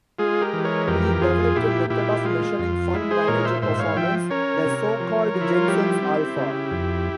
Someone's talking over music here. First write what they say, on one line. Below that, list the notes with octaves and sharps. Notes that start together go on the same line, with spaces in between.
He developed a method of measuring fund manager performance, the so-called Jensen's alpha.
G#3 F4 G#4
G4 A#4
E3
A#4 C#5
F2 G4 A#4
F2 F4 G#4
A#2 E4 G4
A#2 E4 G4
G#3 F4
F2
G#3 E4
G#4 C5
A#2 A#4 C#5
C5 E5
G#2 C5 E5
C#5 F5
F3 E5 G5
C#4 A#4 C#5
C3
F3
F3
E4
F4
G3 E4 G4
C4
C#3
F2